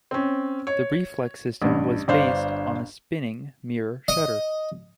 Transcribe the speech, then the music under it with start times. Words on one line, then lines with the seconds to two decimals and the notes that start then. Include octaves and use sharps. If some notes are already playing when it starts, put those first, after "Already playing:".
The reflex system was based on a spinning mirror shutter.
0.11 C4 C#4
0.67 C#5
1.62 A1 G2
2.08 G1 D4 C5 F5
4.08 D#5